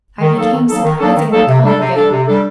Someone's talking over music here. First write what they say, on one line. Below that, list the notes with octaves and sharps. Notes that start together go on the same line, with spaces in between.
I became surprisingly calm again.
D#3
F#3 A#3 D#4 A4
D#3
F#3 A#3 D#4 A4
D#3
F#3 A#3 D#4 A4
D#3
F#3 A#3 D#4 A4
C3
G3 D4 A4
C3
G3 D4 A4
C3
G3 D4 A4